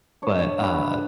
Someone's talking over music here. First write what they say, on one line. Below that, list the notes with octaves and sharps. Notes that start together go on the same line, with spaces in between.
But, uh,
D4 C#5
D4 B4